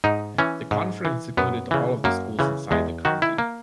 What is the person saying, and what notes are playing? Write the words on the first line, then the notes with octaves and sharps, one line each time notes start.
The conference included all of the schools inside the county.
G#2 D#4
E3 C#4
G#2
E3
F#2 B3
C#3 E3
F#2 A#3
C#3 E3
E2 G#3
D#3 F#4
E4
A#3